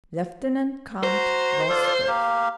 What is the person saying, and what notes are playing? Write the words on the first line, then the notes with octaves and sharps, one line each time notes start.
"Lieutenant Count Rostov."
F#4 C5 A#5
F4 A4 D5
A#3 G4 F5